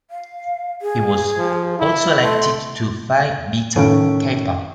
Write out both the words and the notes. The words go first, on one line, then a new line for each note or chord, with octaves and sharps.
He was also elected to Phi Beta Kappa.
F5
G#4
F3
E4
A3 C6
A2 D#3 A3 C#4 A4 D7